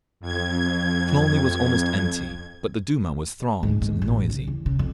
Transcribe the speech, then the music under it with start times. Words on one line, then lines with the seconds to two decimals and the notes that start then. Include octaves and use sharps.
Smolny was almost empty, but the Duma was thronged and noisy.
0.20 F2 G#6
3.63 G#2
3.82 G#2
4.02 A1
4.30 C#3
4.47 E2
4.66 C#3
4.79 F2